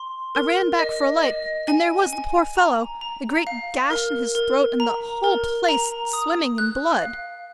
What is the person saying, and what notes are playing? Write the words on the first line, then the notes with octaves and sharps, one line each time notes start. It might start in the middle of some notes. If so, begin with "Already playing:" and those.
I ran back for a light and there was the poor fellow, a great gash in his throat and the whole place swimming in blood.
Already playing: C6
A#4
D#5
D#5
G#5
G#5
A#5
A#5
F5
A#4
A#4
A#5
A#4
A#5
D#6
F#6
F5